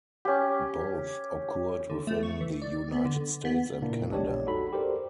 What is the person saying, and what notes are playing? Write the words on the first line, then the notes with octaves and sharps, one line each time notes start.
Both occurred within the United States and Canada.
C#4 G4
D3
A3
C#6
E3
D5
B3
D3
B3
A#2 C#3 A#3 D4 E4
A#1 E2 G#3 D4 G4 C#5
D#4 F#4 A4 B5
G4 A4 A#4 C5 D5